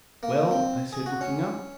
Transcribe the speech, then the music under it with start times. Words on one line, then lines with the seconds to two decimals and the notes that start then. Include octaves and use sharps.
"Well?" I said, looking up.
0.23 A#3
0.51 C4
0.92 G#4
1.06 F#4
1.21 C#4